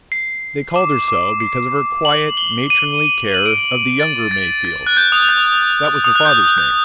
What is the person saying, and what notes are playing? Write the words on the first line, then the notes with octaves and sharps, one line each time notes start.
They called her so because of her quiet, matronly care of the younger Mayfields--that was the father's name.
C7
D6
D6
C7
F#7
G7
D#7
F#7
D7
A6
A6
A6
F#6
G6
D#6
G6
D#6
F#6
G6
G6